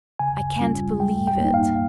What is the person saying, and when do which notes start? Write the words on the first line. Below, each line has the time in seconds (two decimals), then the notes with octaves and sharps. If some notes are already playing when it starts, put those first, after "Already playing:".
I can't believe it!
0.19 C#3 G#5
0.60 G3 C#4 F4
1.00 G3 G5
1.27 G5
1.40 A#3 D#4
1.54 F5